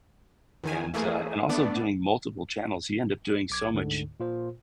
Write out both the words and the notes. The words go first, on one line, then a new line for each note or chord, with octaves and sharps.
and, uh and also doing multiple channels, you end up doing so much
E2 D#3 G#5
E3 A3 A#3 G#4
A3 B3 D4 D5
B1 D6 G#6
D2 G#2 D3
A#2 F4 C5